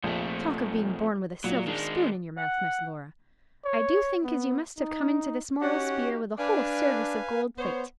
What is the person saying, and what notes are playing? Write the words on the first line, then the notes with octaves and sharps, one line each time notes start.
Talk of being born with a silver spoon in your mouth, Miss Laura; I do think as you must have come into this mortal spear with a whole service of gold plate.
A#1 F2 A3
A#2 F#3
D#3 G#3 D4
F#5
C#5
B3
D#4
C#4 D#4 F#4 G4 F#5
D4 B4 F5 G#5
B3 C5 C#5